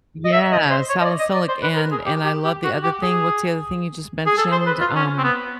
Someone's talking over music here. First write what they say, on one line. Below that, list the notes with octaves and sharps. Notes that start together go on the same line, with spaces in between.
Yeah, salicylic, and and I love the other thing. What's the other thing you just mentioned, um
D#5
E5
D#5
C5
C#5
D#5
D5
D#5
D5
C5
B4
A#4
G#4
G4
G4
G4
F#4
G4
G#4
G#4
A4
C5
B4
F4
C#4
C4
B3